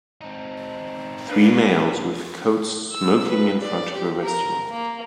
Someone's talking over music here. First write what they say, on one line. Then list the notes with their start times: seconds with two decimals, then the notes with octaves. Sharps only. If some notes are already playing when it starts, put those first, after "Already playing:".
Three males with coats smoking in front of a restaurant.
0.21 C4 D#4
1.28 A#3 D4 B4
2.92 E6
3.28 B4
3.62 D5
3.94 G4
4.23 A#4
4.71 A#3